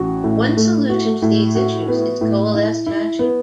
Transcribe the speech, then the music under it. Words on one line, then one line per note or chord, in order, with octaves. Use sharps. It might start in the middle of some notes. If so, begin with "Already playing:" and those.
One solution to these issues is coalesced hashing.
Already playing: A1 F#4
A2
A3
F#4
A2
F#4
B3
A2
E4
E4
B3